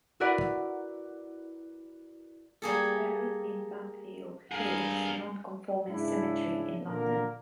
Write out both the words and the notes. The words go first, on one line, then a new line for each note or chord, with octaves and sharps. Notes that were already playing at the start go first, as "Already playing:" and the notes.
He is buried in Bunhill Fields non-conformist cemetery, in London.
E4 F#4 A#4 B4 D5 F#5
G3 A#3 G#4 A4
G2 G#4 A#4 F5
G#2 C#3 D4 E4
A#2 D3 A#3 A#4